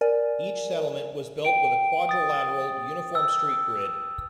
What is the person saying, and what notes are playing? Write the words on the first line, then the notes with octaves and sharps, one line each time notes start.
Each settlement was built with a quadrilateral, uniform street grid.
A#4 D5 G#5
G5 D7
D#6 A6
E6